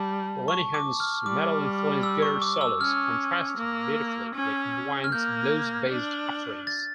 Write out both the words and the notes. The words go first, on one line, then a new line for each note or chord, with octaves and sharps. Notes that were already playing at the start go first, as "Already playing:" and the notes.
Lenihan's metal-influenced guitar solos contrasted beautifully with Wynn's blues-based offerings.
Already playing: G3 A5
C#6
D6
F6
G3 D6
E6
C#6
D6
E6
C#4 F6
A#3
C#4
F6
A#3 G6
D4
A6